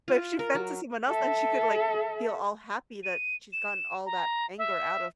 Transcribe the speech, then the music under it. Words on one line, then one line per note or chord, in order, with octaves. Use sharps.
But if she vent to someone else, then she could, like, g feel all happy that she's gotten all that anger out of
F4
A#4
F#3
A4 E5
D#7
E7
A#5
E5